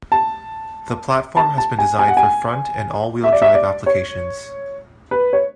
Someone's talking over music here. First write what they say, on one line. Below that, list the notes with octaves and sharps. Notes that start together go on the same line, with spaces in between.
The platform has been designed for front and all-wheel drive applications.
A5
A5
A5
G#5
G#5
F#5
G#5
E5
D5
E5
D5
C#5
B4
C#5